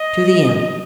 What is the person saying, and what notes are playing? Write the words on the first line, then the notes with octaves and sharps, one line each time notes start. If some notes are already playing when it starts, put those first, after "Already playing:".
"To the end."
Already playing: D#5